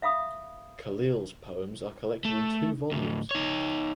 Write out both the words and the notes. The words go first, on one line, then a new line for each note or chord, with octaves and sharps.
Khalil’s poems are collected in two volumes.
E5 F5 B5 D#6
A3
D2 A2
D#4 C#5